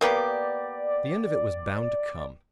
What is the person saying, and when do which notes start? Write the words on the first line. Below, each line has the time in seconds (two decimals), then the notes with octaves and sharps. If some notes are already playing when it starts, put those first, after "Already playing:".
The end of it was bound to come.
0.01 A#3 B3 G4 D5